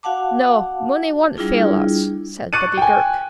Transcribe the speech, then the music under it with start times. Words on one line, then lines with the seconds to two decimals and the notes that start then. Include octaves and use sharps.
"No, Mooney won't fail us," said Buddy Girk.
0.03 F#4 F5 F#5 A5 D6
1.37 G3 D4 E4 F4 G#4
2.53 C#6 D6 F#6 A6 C#7 D#7
2.77 G5 G#5